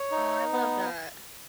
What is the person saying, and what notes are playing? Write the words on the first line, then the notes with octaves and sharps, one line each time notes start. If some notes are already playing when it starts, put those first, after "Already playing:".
Oh, I love that.
Already playing: C#5
D#4
B3